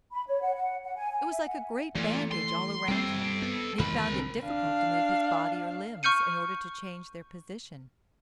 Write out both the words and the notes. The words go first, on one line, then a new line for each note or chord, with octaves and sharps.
It was like a great bandage all around him and he found it difficult to move his body or limbs in order to change their position.
B5
C#5
F#5
F#5
F#5
G#5
G#5
E5
F#5
A#2 E3 A3
C6
G3 G#3 C4 A4 G5
B3
E2 D#3 G#3 A#4 B5
C2 D3 C4
D4 F5
C#6 F6 G6 C#7 D#7